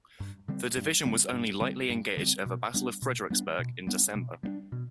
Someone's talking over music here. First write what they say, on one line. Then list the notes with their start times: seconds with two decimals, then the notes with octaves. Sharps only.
The division was only lightly engaged at the Battle of Fredericksburg in December.
0.20 G2
0.48 D3 G3 C4
0.77 G2
1.05 D3 G3 C4
1.32 G2
1.61 D3 G3 C4
1.90 G2
2.17 D3 G3 C4
2.46 B2
2.74 G3 B3 D4
3.02 B2
3.30 G3 B3 D4
3.59 B2
3.87 G3 B3 D4
4.15 B2
4.43 G3 B3 D4
4.72 B2